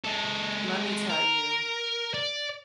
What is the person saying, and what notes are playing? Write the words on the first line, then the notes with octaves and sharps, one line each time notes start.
Let me tell you,
G#3 A4
A#4
D5